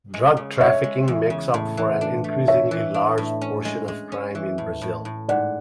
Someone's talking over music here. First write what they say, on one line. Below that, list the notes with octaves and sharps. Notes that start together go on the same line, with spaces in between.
Drug trafficking makes up for an increasingly large portion of crime in Brazil.
G#3
C#3
G#3 C#5 E5
G#3
E2
C#3
A2
E3
D4
A3
A2 C#5 E5
E3
D4
A2
C#4
G#3
G#3
C#4
E3
A2
A2
A2
G#2 D5 F#5